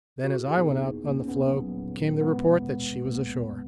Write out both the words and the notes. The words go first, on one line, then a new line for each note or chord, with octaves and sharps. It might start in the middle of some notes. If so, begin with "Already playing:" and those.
Then as I went out on the floe came the report that she was ashore.
F#4
A#2 E4 G#4
A#2 B3 D#4
A#3 B3
A#2 A#3
C#4
A#3 B3
F#3
A#2
A#2
G#3 B3
B2
C#2
G#3
A#3
C#2 B3
G#3